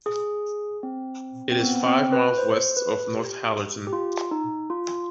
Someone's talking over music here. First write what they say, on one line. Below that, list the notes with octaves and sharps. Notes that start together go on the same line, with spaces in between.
It is five miles west of Northallerton.
G#4
C4
C4
B3
C4
B4
C5
B4
G4
G4
F4
D#4
F4